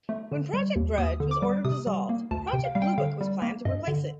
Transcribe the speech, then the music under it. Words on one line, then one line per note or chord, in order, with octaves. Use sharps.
When Project Grudge was ordered dissolved, Project Blue Book was planned to replace it.
A3
D3
G3
D#2
D#2 D#6
D3
D6
G3
C3 D#6
G3
A#3
D2 A5
G5
C3
F5
G3 F5
G5
D3 F5
G3
A#3
G2 D#5
D3